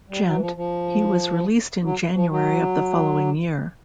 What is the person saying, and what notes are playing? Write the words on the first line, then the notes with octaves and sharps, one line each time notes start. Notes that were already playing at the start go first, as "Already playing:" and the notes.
Gent, He was released in January of the following year.
G3
F#3
E3
F3
F3
F#3
F3
F#3